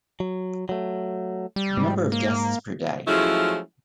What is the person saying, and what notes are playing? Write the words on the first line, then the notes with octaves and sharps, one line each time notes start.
Number of guests per day.
F#3
F#3 A3
G3
G#2
A#3
F3 F#3 G#3 A3 C#4 E4